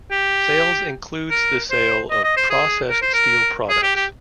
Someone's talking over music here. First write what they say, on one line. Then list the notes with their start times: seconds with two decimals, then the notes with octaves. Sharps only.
Sales includes the sale of processed steel products.
0.11 G4
1.31 A#4
1.71 C5
2.11 D#5
2.24 D#5
2.37 C5
2.50 G#4
2.90 A#4
3.02 C5
3.14 A#4
3.69 G#4
3.83 G4
3.96 G4